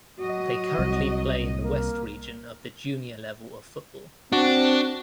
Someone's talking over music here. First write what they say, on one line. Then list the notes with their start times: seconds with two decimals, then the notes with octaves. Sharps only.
They currently play in the West Region of the Junior level of football.
0.18 F#3 F#4 D#5
0.79 C2
1.61 A#3
4.32 C4 D4 F#4